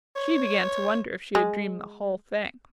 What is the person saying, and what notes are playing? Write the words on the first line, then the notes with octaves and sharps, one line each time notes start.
She began to wonder if she had dreamed the whole thing.
C#5
G#3